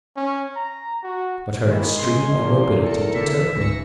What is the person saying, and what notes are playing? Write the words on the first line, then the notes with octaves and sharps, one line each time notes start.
But her extreme immobility deterred me.
C#4
A#5
F#4
D#3 G#3 A#3 E4
C#3 G#5 C6
E2 F3 A#3
A4 A#4 C#7
D3 E5
C#2 G#2 E6 A#6 C#7